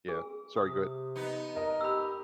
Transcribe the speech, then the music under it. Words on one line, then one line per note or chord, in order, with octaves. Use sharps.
yeah, sorry, go ahead.
G#4
C3 D#6
B3 D#4
A#4 D#5 A#5
G4 B5 E6